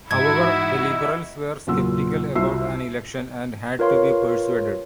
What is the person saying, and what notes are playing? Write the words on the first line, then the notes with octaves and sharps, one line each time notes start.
However the Liberals were sceptical about an election and had to be persuaded.
G#2 E3 D#4 E4 F#4 E5 G#6
E2 A#2 C#3 F#3 F4 E6
C2 F4 F#4 E5 E6 C7
F4 A#4 B4 C#5 F5 C6